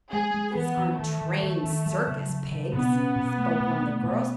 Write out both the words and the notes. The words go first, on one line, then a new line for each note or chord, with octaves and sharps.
"These aren't trained circus pigs," spoke one of the girls.
G#3 G#4
G#3
E3 B3
E3
D#3 A3
D#3
D#3
D#3
F#3
C#3
F#3
C#3
B2 B3
C#4
B2
A3
B2
A3
B2